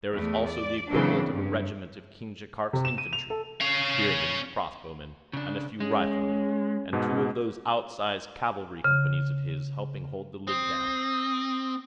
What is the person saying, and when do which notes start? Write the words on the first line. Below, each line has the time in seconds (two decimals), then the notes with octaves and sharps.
There is also the equivalent of a regiment of King Jaikark's infantry--spearmen, crossbowmen, and a few riflemen--and two of those outsize cavalry companies of his, helping hold the lid down.
0.12 E2 A3
0.46 D5
0.89 C#3 E3 F#3 A#3 C4 D4
1.31 G2
2.73 C3
2.85 E7
2.98 D#7
3.13 F7
3.30 A4
3.60 C#4 F5
5.33 C#3 D4
5.80 G#3 C#4
6.93 G#2 B2
8.84 C#3
10.47 C4 D#6